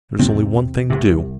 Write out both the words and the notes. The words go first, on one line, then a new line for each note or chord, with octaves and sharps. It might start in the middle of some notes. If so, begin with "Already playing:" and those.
There is only one thing to do.
E2 C3 C4
C2 C3